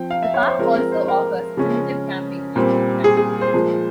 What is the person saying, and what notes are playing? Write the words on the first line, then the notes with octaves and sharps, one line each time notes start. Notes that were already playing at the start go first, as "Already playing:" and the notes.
The park also offers primitive camping and youth camping.
Already playing: F3 C4 G5
F5
E5
C#5
C5
F3 G#3 C4 A#4
A#4
C5
A#4
C#3 F3 G#3 C#4
A#2 G3 C4
G#4
G#4
C5
A#2 F3 G#3